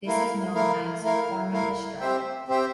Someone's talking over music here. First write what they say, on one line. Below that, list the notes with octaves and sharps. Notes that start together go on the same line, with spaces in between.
This is known as "farming the strike".
A3 E4 A#4 F5
A3 E4 A#4 F5
A3 E4 A#4 F5
A3 E4 A#4 F5
C4 G4 C5 E5 G5
C4 G4 C5 E5 G5